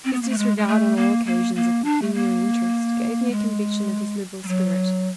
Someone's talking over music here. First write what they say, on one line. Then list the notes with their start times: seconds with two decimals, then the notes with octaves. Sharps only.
His disregard, on all occasions, of pecuniary interest, gave me a conviction of his liberal spirit.
0.04 C4
0.13 B3
0.22 A#3
0.30 A3
0.38 G#3
0.57 G#3
0.68 A3
0.97 A#3
1.26 A#3
1.55 A#3
1.84 D4
2.02 A3
2.14 A#3
3.31 G#3
4.43 G3
4.48 F#3